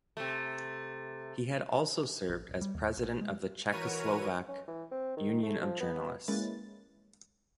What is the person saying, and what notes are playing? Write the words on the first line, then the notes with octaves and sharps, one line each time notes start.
He had also served as President of the Czechoslovak Union of Journalists.
C3 A3
A1
D1
G3
D#2
A#1
G#3
E3 F#4 A#4 B4 C#5 D#7
C#4
E3
C4
D#3
A3
F3
B3
G#3 A#3 C#4 E4 B4 A6